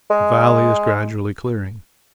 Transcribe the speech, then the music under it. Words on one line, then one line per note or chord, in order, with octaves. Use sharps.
The valley is gradually clearing.
G#3